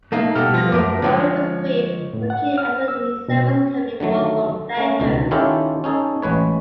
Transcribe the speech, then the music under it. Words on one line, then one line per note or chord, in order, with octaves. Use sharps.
His glory was brief, for King Edward himself was coming north from Flanders.
A3 A#3 D#4
B2 G3 G4 A4 F6
F3 A#6
F#2 A3 A#4 D6
D3 F3 G#3 C#5
A2
F#5
F6
E6
B2
C#4
D3 D#3 F#3 A3
A3 C#4
C#2 B2 D3 D#3
D#3 C#4 E4 F4 G4 A4
C#4 D#4 G#4 A4
A1 G#3 B4 C#5